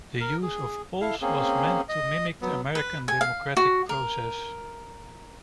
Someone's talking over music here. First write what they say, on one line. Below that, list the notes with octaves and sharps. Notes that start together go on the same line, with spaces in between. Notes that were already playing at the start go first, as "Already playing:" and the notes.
The use of polls was meant to mimic the American democratic process.
A#4
G#4
E4 A4 F5
A#3 C4 C#4 G#4
D#5
F#3 B3
B4
G#5
F5
F#4
A#4